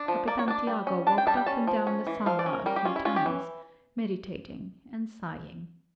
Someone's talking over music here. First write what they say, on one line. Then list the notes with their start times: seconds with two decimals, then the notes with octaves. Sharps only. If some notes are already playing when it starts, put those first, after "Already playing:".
Capitan Tiago walked up and down the sala a few times, meditating and sighing.
Already playing: D4
0.08 F3
0.28 A#3 D5
0.39 C#5
0.48 D4 D5
0.67 G3
0.87 C#4
1.07 D4 A5
1.18 G5
1.27 G3 A5
1.37 G5
1.46 C#4 A5
1.67 F3
1.87 C#4
2.07 E3
2.26 F3 F5
2.39 D5
2.46 C#4
2.53 A#4
2.66 G3 A#4
2.76 G4
2.85 C#4 F4
2.96 E4
3.05 C#4 F4
3.16 G4
3.26 E3